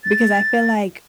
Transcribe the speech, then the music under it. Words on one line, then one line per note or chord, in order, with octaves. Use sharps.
because I feel like
A6